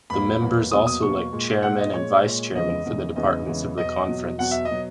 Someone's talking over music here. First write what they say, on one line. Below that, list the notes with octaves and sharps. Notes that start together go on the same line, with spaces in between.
The members also elect chairmen and vice-chairmen for the departments of the conference.
E2 B2 F#3 A#3 B5
E2 B2 F#3 A#3
E2 B2 F#3 A#3 D#6
D#6
E2 B2 F#3 A#3 C#6
A#2 G#3
A#2 G#3 F#5
D#5
A#2 G#3 C#5
A#2 G#3
E2 C#3 E3 G#3 D#5
E2 C#3 E3 G#3
E2 C#3 E3 G#3 D#5
E2 C#3 E3 G#3
E2 B2 F#3 D#5
E2 B2 F#3
E2 B2 F#3 F#5
E5
D#5
B2 F#3